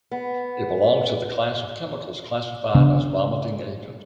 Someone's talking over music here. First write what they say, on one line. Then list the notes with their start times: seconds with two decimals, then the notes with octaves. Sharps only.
It belongs to the class of chemicals classified as vomiting agents.
0.11 B3
2.75 C#3 B3 D4